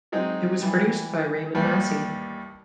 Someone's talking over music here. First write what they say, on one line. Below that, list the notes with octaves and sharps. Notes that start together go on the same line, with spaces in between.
It was produced by Raymond Massey.
F#3 G#3 C4 D#4
E3 G3
A1 D#2 G3 B4